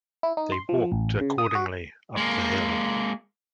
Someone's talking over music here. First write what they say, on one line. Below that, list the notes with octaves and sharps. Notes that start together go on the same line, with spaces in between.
They walked accordingly up the hill.
E4
D#4
C6
F3
A1
C#3
D#6
F#4
G#3 A#3